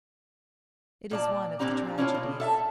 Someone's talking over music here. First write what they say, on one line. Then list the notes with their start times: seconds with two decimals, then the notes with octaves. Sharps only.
It is one of the tragedies.
1.11 A#2 D5 A5
1.59 A#2 A3 C4 D4 G4 A#5
1.98 C#4 D4 E4 F4 B4 C#5
2.15 B2
2.40 A4 E5 A5